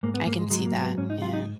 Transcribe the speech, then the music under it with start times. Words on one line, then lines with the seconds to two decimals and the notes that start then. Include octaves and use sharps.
I can see that, yeah.
0.03 G#2 A#3
0.14 B3
0.27 G#2 A#3
0.39 G#3
0.50 F#3 G#3
0.66 A#3
0.74 G#2
0.82 B3
0.98 G#2 C#4
1.10 D#4
1.22 F#3 F4
1.33 D#4